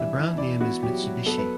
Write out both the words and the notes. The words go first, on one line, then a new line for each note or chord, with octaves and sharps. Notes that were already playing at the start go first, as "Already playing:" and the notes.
The brand name is Mitsubishi.
Already playing: E3 G3 D4 E5
E3
E4 D5
B3 F#4
F#3 G4
F#3
B3 A4
B4